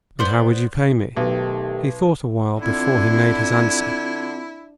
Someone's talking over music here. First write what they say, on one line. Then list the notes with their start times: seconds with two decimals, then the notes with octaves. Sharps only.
"And how would you pay me?" He thought a while before he made his answer.
0.19 B3 C5 D5
1.17 B1 D#3 A3 G4
2.62 D3 C4 E4 F4 G#6